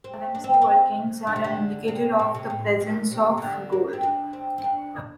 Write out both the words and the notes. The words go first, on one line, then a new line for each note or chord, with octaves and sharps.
Galamsey workings are an indicator of the presence of gold.
C4
D4
C4
A#3
C4
D3
C3
D3
C3
A#2
C3
A2
A#2
C3
C3
D3
A#3
C4
D4
C4
C4
D4